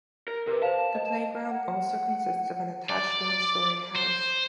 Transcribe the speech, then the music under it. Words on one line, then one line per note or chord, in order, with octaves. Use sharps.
The playground also consists of an attached one-story house.
A#4
C3 A#4 B4
C5 F5 A5
D#5
F#5
D5
C5